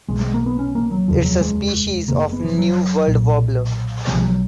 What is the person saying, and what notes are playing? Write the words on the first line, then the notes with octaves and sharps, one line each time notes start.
It is a species of New World warbler.
B1 B2 G#3
G#3
A#3
B3
C#4
A#3
F#3
F1 D#2 C#3 F3
F#3
G#3
F#1 F#2 C#3 A#3
B3
F3
F#3
B1 A#2
B1 B2 F3
G#3
F#3